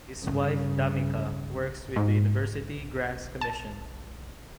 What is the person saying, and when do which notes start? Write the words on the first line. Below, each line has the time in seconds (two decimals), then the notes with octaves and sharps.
His wife Dhammika works with the University Grants Commission.
0.22 G2 C#3
1.96 G#2
3.41 A5